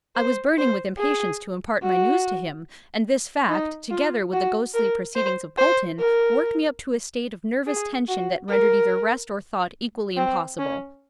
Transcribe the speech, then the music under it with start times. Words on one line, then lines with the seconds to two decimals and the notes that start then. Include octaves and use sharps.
I was burning with impatience to impart my news to him, and this fact, together with the ghostly proceedings of Polton, worked me up to a state of nervous tension that rendered either rest or thought equally impossible.
0.16 C5
0.58 C5
0.99 G#4
1.82 F#4
3.49 D#4
3.91 F4
4.33 F#4
4.74 A#4
5.16 C5
5.58 C5
5.99 A#4
7.67 G#4
8.08 F#4
8.49 A#4
10.17 C4
10.59 C#4